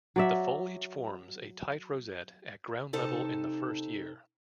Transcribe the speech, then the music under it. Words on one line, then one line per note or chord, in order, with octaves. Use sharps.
The foliage forms a tight rosette at ground level in the first year.
F#3 D5 E5
C3 D#4 A4 A5